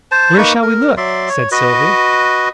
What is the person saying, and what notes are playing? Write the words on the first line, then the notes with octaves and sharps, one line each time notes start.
"Where shall we look?" said Sylvie.
C5 A5
A#3 D#4 B4 C#6
A#4
F#3 D5 E5 C6
C#5
F#4 B4 D#5